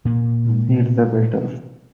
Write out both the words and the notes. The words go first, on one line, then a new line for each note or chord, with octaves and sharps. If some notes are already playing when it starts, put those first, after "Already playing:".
Meet the Beatles!
A#2 A#3